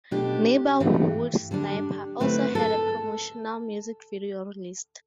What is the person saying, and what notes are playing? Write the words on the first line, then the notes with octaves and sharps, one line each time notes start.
"Neighborhood Sniper" also had a promotional music video released.
B2 A3 D4 G4
G2 E3 A3
D3 G3 D4
D3 A3 C4 E4 B4
A4